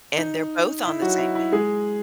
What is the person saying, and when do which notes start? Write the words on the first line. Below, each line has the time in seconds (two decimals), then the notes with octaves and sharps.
and they're both on the same pa
0.18 D#4
0.85 E4
1.02 F#3 F#4
1.18 E4
1.35 E4
1.52 G#3 G#4